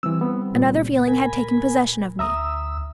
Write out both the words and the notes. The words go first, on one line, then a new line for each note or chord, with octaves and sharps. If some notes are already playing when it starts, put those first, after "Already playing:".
Another feeling had taken possession of me.
E3 G3 C4 E6
B3
C#2 A#2
A#4 G#5 B5
D2 E5 A#5 D#6 E6